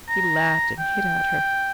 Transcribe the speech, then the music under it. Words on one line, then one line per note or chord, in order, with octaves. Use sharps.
He laughed and hit at her.
A#5
G5